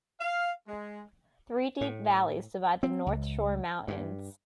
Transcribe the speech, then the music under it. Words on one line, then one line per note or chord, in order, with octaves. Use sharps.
Three deep valleys divide the North Shore Mountains.
F5
G#3
A2
C4
C#2
G2